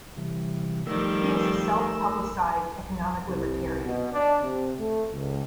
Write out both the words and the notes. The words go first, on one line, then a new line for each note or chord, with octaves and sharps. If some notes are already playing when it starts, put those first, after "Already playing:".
He is a self-publicized economic libertarian.
C3 E3 G3
D#3 F3 G3 A3 A#4 E6
C2
B2
D4
C3
A3
C#2